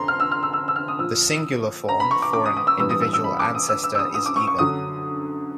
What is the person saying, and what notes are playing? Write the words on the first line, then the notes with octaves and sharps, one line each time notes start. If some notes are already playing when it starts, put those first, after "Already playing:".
The singular form, for an individual ancestor, is Egun.
Already playing: F2 D3 A#5 C6
F6
E6
F6
E6
E6
E6
F6
D#6
A#2 F3 E6
A#5
B5
C#6
D6
D6
D#6
D#6
E6
G2 E3 G3 E6
D#6
E6
E6
B5
D6
D#6
E6
E6
E6
D#6
D#6
D6
C#6
C#6
F#2 D3 F#3 D#6